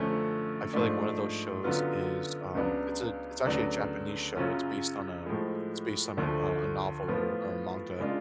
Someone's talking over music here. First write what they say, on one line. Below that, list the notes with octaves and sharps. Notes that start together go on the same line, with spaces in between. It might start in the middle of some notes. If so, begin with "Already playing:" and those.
I feel like one of those shows is, um, it's a it's actually a Japanese show, it's based on, um it's based on a a a novel, or or a manga,
Already playing: F#2 D3 F3 A3 C#4
G#2 F3 A3 D4
F#2 D3 F#3 B3 F4
C#2 C#3 F#3 B3 D4
D2 C#3 F#3 B3 D4
F#2 C#3 F#3 C#4 F4
A2 F3 G#3
D2 D3 F3 A3
A2 F3 B3 F4
C#3 G#3 D4 F4